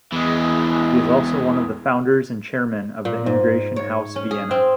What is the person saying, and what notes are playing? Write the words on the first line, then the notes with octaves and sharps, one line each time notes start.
He is also one of the founders and chairman of the Integration House Vienna.
E2 E3 G#3
A#2
G#2
C#5
C#4
G#4
C4